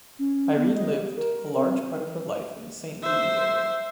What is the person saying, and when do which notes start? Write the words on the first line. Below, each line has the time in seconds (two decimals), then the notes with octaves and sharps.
Irene lived a large part of her life in the Saint-Louis area.
0.19 C#4
0.56 B3
0.75 D#5
0.90 G4
1.16 A#4
1.56 C4
3.02 C5 E5